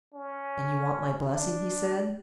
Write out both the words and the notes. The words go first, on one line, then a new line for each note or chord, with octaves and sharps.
"And you want my blessing?" he said.
C#4
D4